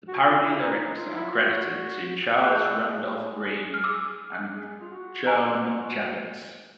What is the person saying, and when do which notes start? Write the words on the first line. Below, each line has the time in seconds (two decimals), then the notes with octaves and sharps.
The parody lyrics are credited to Charles Randolph Grean and Joan Javits.
0.08 F#4
0.27 F4
0.44 E4
0.62 D#4
0.80 D#4
0.98 F4
1.16 E4
1.25 F4
1.34 F#4
2.41 G#4 F#6
2.52 G6
2.65 E6 F#6
2.77 G#4
3.04 G4
3.12 G#4
3.74 F6
3.84 D6 E6
4.56 G#4
4.81 F4
4.91 F#4
5.27 G#5 A#5